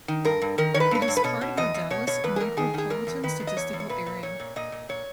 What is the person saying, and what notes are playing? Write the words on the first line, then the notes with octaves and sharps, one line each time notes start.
It is part of the Dallas micropolitan statistical area.
D#3
G2 A#4
G2
D#3 A#4
D#3 C#5
B4
G2 B4
C#5
G2
B4
B2 C#5
B2
E2 D#5
E2
B2 C#5
B2 C#5
E2 B4
G#4
E2 A#4
D#3 G#4
D#3 G#4
E2 A#4
E2
D#3 B4
D#3
D#5
E2 C#5
E2
C#5
A#2 B4
A#2
A#2 C#5
A#2
A#2 D#5
A#2
A#2 C#5